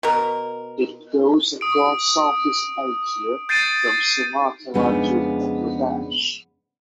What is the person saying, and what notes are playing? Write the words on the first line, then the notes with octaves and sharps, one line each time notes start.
It grows across Southeast Asia from Sumatera to Bangladesh.
B2 A#4
D#6 D7
G6 A6 C7 D7 D#7
F2 C#3 G#3 B3 D4 D#4